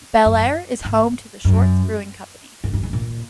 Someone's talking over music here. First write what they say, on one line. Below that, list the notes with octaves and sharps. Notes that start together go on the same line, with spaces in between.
Bellaire is home to the Short's Brewing Company.
F#2
G#2
F#2
G#2
F#2
G#2
A#2